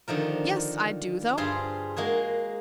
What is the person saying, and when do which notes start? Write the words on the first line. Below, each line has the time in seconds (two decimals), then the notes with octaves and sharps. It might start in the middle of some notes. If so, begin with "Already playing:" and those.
Yes, I do, though.
0.08 D3 D#3 F3 A#4
1.37 G2 F4 G#4 C5 C6
1.96 G#3 A#3 F#4 G#4